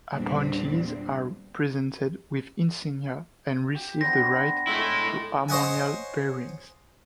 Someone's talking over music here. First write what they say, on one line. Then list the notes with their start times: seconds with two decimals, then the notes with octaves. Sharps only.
Appointees are presented with insignia and receive the right to armorial bearings.
0.13 E2 A#2 D3 G3 C4 D4
3.75 G4
4.01 B3 D4 C5 A#6
4.67 A2 G#3 A3 E4
5.49 C5 C#5 D#5 F#5 G#5